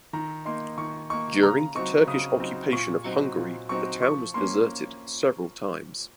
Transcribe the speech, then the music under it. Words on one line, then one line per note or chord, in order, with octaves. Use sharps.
During the Turkish occupation of Hungary the town was deserted several times.
D#3 A#5
A#3 D#4 C6
D#3 C#6
A#3 D#4 C#6
C#3 A#5
F#3 C4 D#4 C#6
C#3 D#6
F#3 C4 D#4
A#2 C#6
F#3 C4 D#4
A#2
F#3 C4 D#4 C#6
F3 C#6
A#3 C#4 C6